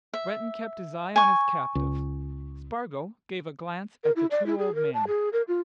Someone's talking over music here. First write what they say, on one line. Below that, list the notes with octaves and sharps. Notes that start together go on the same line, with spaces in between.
Breton kept his eye on his captive; Spargo gave a glance at the two old men.
E5
G#5 C#6
C#2
A#4
E4
D5
E4
G#4
A#4
A5
G#4
A#4
F4